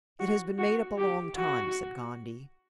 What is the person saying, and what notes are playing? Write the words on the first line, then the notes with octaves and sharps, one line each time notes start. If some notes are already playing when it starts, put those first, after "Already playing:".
"It has been made up a long time," said Gondy.
F#4
F#4
G4
F#4